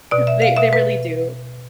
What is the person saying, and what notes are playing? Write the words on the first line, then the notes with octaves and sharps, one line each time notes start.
They they really do.
B2 D5
E5
F5
B2 E5
B4